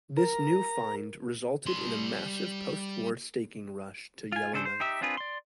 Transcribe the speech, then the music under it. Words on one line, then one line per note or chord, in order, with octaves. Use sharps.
This new find resulted in a massive post-war staking rush to Yellowknife.
A#4 A#5
G3 C6
F4 G#5
C#3 D4 A4 C5
C5
D#4 G4 E5
C4 D4 F4 G#4 B4
D5 C6